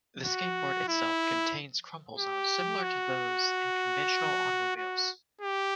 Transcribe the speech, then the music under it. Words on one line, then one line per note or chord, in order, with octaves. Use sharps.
The skateboard itself contains crumple zones similar to those in conventional automobiles.
F#4
E4
G4
F#4
F#4
G4